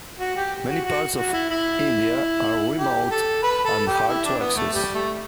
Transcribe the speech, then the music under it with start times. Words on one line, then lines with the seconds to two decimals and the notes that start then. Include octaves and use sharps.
Many parts of India are remote and hard to access.
0.20 F#4
0.36 G4
0.69 F#4
0.85 F#4
1.17 F#4
1.33 E4
1.50 E4
2.79 G4
3.10 A4
3.43 B4
3.65 A4
3.87 G4
4.08 E4
4.24 D4
4.40 B3
4.56 A3
4.73 G3
4.95 A3